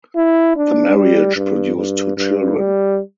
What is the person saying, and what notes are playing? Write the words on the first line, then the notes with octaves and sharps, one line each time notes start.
The marriage produced two children.
E4
D4
G3
G2
G2
G2
G3